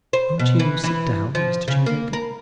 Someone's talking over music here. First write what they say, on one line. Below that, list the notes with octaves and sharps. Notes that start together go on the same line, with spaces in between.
"Won't you sit down, Mr. Cheesacre?"
C5
B2
E3
E3
F3
C#3
A#3
A#4